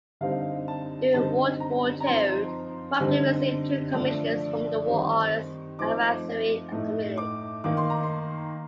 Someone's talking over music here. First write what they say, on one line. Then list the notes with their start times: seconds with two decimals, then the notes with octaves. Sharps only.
During World War Two, Frampton received two commissions from the War Artists' Advisory Committee.
0.21 D3 G3 C4 D#4 F5
0.68 A5
1.14 D3 G3 C4 D#4 A5
1.60 A#5
2.01 A#5
2.06 F3 C4 D#4 C6
3.00 D3 G3 C4 D#4
3.93 D3 F3 A3 D4
4.85 D#3 G3 C4 D#4
5.78 F3 A3 C4 D#4 D6
6.72 A2 A3 D#4
7.18 D6
7.64 D#3 A#3 D#4 D6
7.77 C6
7.90 A#5
8.03 C6